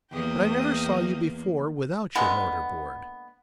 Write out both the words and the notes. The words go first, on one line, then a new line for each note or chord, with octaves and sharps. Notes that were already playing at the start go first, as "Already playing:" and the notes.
But I never saw you before without your mortar-board.
E2 A#3 G5 D#6
D3 G#3 A#3 B3